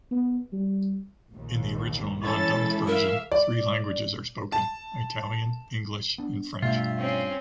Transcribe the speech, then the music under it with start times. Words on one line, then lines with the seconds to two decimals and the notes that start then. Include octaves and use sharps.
In the original non-dubbed version, three languages are spoken: Italian, English and French.
0.11 B3
0.53 G3
1.30 A#1 D#2
2.23 E3 G#3 C#4 E4 A4 A6
2.87 A#4 E5 F5
3.32 D5
4.52 A5
6.18 B3 D4
6.62 G2 B2 A3 F4 E5
6.98 C4 C#4